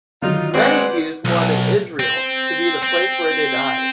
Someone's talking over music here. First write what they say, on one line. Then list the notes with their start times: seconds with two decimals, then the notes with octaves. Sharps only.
Many Jews wanted Israel to be the place where they died.
0.22 D3 D#3 F#3 D#4 F4
0.54 G#3 C4 F#4 B4 C5 D5 F#5 D7
1.25 B1
1.99 C4
2.83 C4